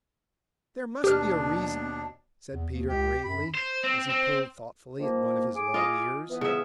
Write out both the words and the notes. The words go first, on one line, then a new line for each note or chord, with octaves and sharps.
"There must be a reason" said Peter gravely, as he pulled thoughtfully at one of his long ears.
D#2 B2 D4 G4 F6
E2
D#2
C#2 G4
F#2 B5
C5
C4
C4
D#3 F3 A#3
G#4 D6
F4 D#5 F5
E3 B3
C#3 E5